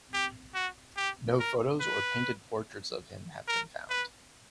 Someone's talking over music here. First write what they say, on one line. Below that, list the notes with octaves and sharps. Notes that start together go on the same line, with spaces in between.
No photos or painted portraits of him have been found.
G4
F#4
G4
A#4
B4
A#4
B4